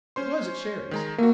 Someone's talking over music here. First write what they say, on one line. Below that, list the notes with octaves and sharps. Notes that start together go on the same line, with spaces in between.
It was at Sherry’s.
C#4 C5 C6
D#3 G#3 A#5
A3 A#3 F#4